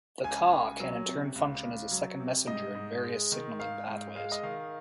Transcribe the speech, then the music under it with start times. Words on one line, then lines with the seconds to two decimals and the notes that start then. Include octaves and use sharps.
The Ca can in turn function as a second messenger in various signaling pathways.
0.24 C#2 G#5
0.52 C#2
0.80 F#3
1.08 C3
1.36 C#2
1.63 C#2
1.91 F#3
2.20 C3
2.47 G#2 D#5
2.75 G#2
3.03 G#3
3.32 D#3
3.60 G#2 F5
3.88 G#2
4.15 G#3 F5
4.32 D#5
4.43 D#3 F5